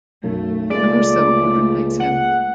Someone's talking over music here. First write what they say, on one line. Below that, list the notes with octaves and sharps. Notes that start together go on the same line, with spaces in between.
Caruso would replace him.
B1 F#2 A3
C#2 G#3 A#3 D5
F#5